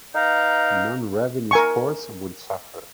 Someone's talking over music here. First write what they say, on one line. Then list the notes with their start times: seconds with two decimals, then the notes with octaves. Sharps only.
Non-revenue sports would suffer.
0.15 D#4 B4 F5 G5 A#5
1.51 A#4 G#5 C#6